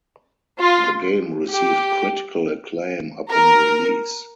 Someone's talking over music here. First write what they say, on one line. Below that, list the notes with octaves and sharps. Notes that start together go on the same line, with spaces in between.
The game received critical acclaim upon release.
F4
G4
A#4